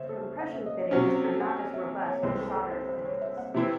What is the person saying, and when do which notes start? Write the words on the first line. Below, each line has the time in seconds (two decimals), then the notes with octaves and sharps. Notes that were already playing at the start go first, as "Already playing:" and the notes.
Compression fittings are not as robust as soldered fittings.
Already playing: C#3 C#4 C5 E5
0.09 A4
0.40 F#5
0.53 E5
0.66 D#5
0.79 C#5
0.91 C3 F#3 C#4 C5
1.08 C5
1.24 A4
1.41 F#5
1.57 G#5
1.74 E5
2.06 C#5
2.23 C2 C3 E3 G#3 C4 C5
2.39 A4
2.56 A4
2.72 C5
2.89 C5
3.05 C#5
3.21 E5
3.37 F#5
3.54 C3 E3 C4 E4 E5